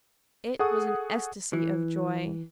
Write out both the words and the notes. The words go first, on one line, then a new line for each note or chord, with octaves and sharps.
It was an ecstasy of joy!
G#4 A4 F#5 C#6 D#6
E3